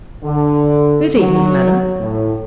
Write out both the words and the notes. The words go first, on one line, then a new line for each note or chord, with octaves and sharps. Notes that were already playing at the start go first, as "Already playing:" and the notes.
'Good evening, Mother.'
D3
F#3
A2